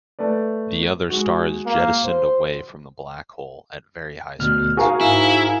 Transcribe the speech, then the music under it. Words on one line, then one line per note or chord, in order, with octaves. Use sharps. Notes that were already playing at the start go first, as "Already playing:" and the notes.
The other star is jettisoned away from the black hole at very high speeds.
A3 B4 D5
G#3 F#4
A#3
C5
D2 B2 F6
F#4 G#4 A#4 F5
G#2 E4